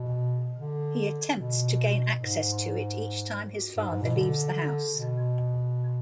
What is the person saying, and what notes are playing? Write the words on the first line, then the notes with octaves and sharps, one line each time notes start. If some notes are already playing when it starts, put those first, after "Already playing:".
He attempts to gain access to it each time his father leaves the house.
Already playing: B2
D3
B2
G#2
G#2
G#2
B2
D3
B2